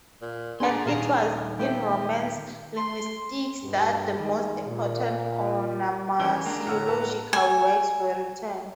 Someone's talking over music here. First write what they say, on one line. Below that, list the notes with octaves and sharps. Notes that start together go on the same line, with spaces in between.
And it was in Romance linguistics that the most important onomasiological works were written.
A#2
B3 D4 G#4 A#4 D5 C6
A#2 D#3 F5 A#5
A3 G4 C5
C6
G2 B2 G4
D#3 G#3
A#2
D#3 E3 G#3 C#4 F#4 G4 D7 G7
G#3 A#3 D4 A#5
A2 D3 C#5 F#5 E6 F6
A#4 B4 F#5 A5
G#5